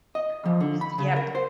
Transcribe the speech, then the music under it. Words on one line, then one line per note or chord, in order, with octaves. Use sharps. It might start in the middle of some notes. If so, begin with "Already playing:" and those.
Um, yep,
D#5
F3
D3
B5
C#3
A#4
C5